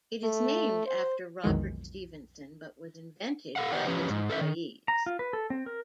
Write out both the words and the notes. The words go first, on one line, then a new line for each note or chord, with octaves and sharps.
It is named after Robert Stephenson but was invented by his employees.
A3
C5
B1 F2 D#3 E3 G#3
A4 F5 F#5
G4 B4 C5 D5 F#5
F3 C#4 G4 B4 C#5 A#5
G#2
A4 B4 E5
D#3
A#5
F4
B4
A4
C4
A#4